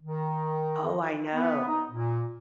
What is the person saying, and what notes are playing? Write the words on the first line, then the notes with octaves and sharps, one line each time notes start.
Oh, I know.
D#3
B3
D#4
A#2